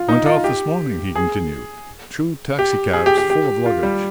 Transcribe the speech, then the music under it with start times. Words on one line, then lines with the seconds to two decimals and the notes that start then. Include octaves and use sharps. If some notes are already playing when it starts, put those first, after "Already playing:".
"Went off this morning," he continued; "two taxi-cabs full of luggage."
Already playing: F4
0.09 D#4
0.26 F4
0.44 G4
1.15 G#4
2.59 G4
2.93 G#4
3.06 G4
3.18 G4
3.30 G4
3.66 F4
3.83 G3